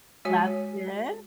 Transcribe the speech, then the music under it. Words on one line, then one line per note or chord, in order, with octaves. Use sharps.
That's good.
G#3 F#4 C#5 G#5